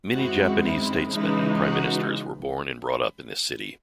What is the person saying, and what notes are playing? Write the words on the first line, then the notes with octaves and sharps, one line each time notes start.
Many Japanese statesmen and Prime Ministers were born and brought up in this city.
F#2 D#3 G#3 C4 E4 F#4
E4
C#3 E3 G#3 D#4 E4
F#4